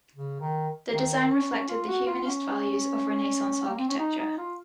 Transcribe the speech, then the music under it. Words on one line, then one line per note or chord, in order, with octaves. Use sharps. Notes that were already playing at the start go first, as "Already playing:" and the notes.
The design reflected the humanist values of Renaissance architecture.
C#3
D#3
D#3
C#4
F4
F#4
F4
C#4
A#3
C4
C#4
D#4
D#4
F4